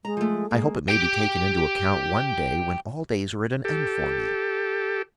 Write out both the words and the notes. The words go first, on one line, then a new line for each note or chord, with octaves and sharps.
I hope it may be taken into account one day, when all days are at an end for me!
G#3 A#5
F3 A3
G#3 A#3
G4 G5
G4 A4